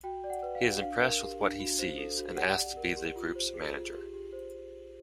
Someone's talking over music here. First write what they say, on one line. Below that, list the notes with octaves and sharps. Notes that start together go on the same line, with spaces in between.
He is impressed with what he sees and asks to be the group's manager.
F#4 G5
D5
F#5
B4
F5
F#4
D4 F5
A#4
G4
D4
F#4
C5
A4
F#4
G4 F#5
D5
A#4
G4
F4
C5
G#4
F4
G4
G4
C5